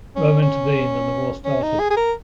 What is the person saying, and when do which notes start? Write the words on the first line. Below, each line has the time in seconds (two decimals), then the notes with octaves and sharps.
Rome intervened and the war started.
0.16 C#4
0.42 C#4
1.45 C#4
1.63 D#4
1.79 G#4
1.91 G#4
1.97 A#4